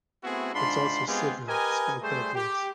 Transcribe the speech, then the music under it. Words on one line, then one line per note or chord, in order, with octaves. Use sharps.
It's also "Sidran" spelled backwards.
A3 B3 C4 E4 F#4 G#4
G#2 D4 F4 B5 C6
G#3 B3 C4 F4 G4 G#4
G4 A#4 B4 D#5 G#5
G3 A3 G#4 C5
G4